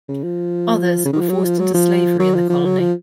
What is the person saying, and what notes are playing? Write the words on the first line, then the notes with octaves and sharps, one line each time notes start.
Others were forced into slavery in the colony.
C#3
F3
C#3
D#3
F3
F#3
F3
F#3
F3
F#3
F3
F3
F#3
F3